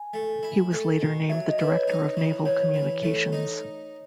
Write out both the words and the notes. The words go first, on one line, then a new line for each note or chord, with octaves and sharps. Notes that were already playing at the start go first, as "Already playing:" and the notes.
He was later named the Director of Naval Communications.
Already playing: G#5
A3
E4
A3
B2
F#3 E5
D#5
E4 B4
C#5
D#4
E3
E3 C#5
E3
A3
D#4